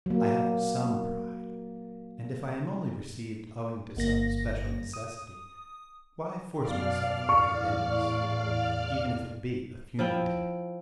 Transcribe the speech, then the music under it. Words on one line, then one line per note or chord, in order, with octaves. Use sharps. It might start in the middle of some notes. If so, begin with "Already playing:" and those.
I have some pride, and if I am only received owing to some special necessity, why force myself on their dinners, even if it be a funeral dinner.
F#3 A#3
G1 A#3 A#6
D#6
F#2 B2 D5 F5 F6
E2 A2 C#6
F3 E4 G5